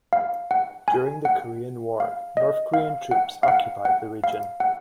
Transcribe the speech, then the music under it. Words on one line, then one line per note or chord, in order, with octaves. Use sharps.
During the Korean War, North Korean troops occupied the region.
F5
F#5
G#5
F#5
F5
D#5
F5
F#5
F5
F#5
F#5
F5
F#5